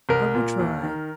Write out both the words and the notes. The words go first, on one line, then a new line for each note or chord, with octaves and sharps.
"I will try."
C2 A#4
A#2
D#2
D#3